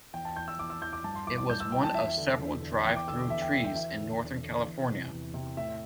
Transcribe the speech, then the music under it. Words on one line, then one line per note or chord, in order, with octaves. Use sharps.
It was one of several drive-through trees in northern California.
E2 G5
A5
E3 G6
E6
E2 D6
E6
E3 G6
D6
G2 A5
C6
E3 D6
D6
G2 G6
E6
E3 G5
A5
E2 E5
D3
E2
D3
E2 G5
D6
D3 E6
D6
E2 E5
G5
D3 E5
G5
E2 E5
D3
E2
D3
E2
C3 E3
E2
C3 E3
A2 E5